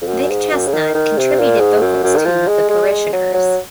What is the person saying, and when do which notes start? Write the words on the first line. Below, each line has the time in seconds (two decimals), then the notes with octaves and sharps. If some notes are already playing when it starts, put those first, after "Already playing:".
Vic Chesnutt contributed vocals to "The Parishioners".
0.01 F2
0.08 F#2
0.30 G#2
0.52 F#2
0.67 C#3
0.73 D#3
0.95 D#3
1.18 C3
1.39 A#2
1.60 G#2
1.82 F#2
2.04 F#2
2.17 D#3
2.26 F3
2.48 G#3
2.70 G#3
2.91 G#3
3.13 F#3
3.34 F#3